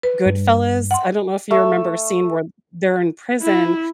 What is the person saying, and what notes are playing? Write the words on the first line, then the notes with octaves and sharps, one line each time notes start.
Goodfellas. I don't know if you remember a scene where they're in prison
B4
G2
F#5 C6
A3
E4